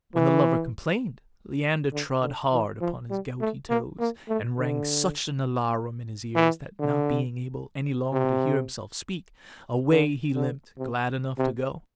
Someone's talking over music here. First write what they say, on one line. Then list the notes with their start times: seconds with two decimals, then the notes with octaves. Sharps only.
When the lover complained, Leander trod hard upon his gouty toes, and rang such an alarum in his ears, that, not being able any longer to hear himself speak, away he limped, glad enough to go.
0.15 E3
1.92 D3
2.21 D3
2.52 E3
2.81 F3
3.10 G3
3.40 A3
3.69 A#3
4.00 A#3
4.29 A3
4.58 D3
6.36 E3
6.79 D3
8.13 C3
9.90 D3
10.35 D3
10.78 C3
11.38 C3